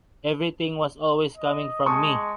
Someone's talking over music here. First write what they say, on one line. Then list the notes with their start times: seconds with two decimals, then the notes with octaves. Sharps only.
Everything was always coming from me.
1.37 D#5
1.86 G#3 A5 C#6 D#6